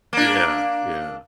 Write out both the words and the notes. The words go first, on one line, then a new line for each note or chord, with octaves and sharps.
Yeah, yeah.
A#3 D4